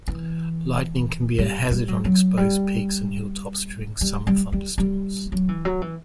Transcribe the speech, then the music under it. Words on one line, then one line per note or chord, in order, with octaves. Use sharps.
Lightning can be a hazard on exposed peaks and hilltops during summer thunderstorms.
E3
G3
G3
F#3
F#3
G3
G3
G3
G3
G3
F#3
E3
F#3
E3